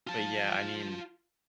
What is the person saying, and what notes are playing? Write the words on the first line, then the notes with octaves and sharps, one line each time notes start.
But, yeah, I mean,
F4 A5